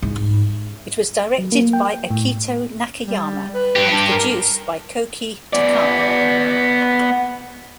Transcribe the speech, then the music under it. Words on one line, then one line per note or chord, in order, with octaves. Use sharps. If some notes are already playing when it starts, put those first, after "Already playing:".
It was directed by Akito Nakayama and produced by Koki Takei.
G#2
F#3
A#3
G5
A2
G3
B4
G2 G4
D4
A#4
B3 D5